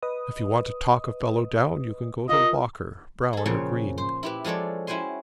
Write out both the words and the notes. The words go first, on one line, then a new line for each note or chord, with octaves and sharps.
If you want to talk a fellow down you can go to Walker, Brown, or Green.
B4 D#5 D#6
F4 A#4 D#5
G#4 A4
A#2 C#3 F3 C#5 G5
C5
E4 G4 B4
F3 G#3 A4 C#5 D5
C#4 E4 F#4 G5 G#5 C6